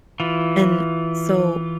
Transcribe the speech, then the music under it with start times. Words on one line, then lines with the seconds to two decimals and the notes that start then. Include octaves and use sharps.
And so,
0.20 E3 F4